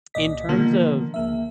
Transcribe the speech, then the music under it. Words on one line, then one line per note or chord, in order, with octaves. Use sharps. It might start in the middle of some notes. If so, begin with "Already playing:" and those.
in terms of
C2 A#2 D5 D#5 B6
B2 D3 D#3 F3 A#3
C#2 A#3 E5